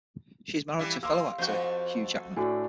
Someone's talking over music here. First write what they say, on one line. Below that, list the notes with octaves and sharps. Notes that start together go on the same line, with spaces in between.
She is married to fellow actor Hugh Jackman.
E3 G3 E4
A#3 C6 E6
F2 F#4 C5 G6
A2 A3 D4 F#4 G#5